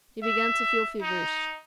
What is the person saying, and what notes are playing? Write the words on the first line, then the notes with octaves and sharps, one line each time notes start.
He began to feel feverish.
E5
D#4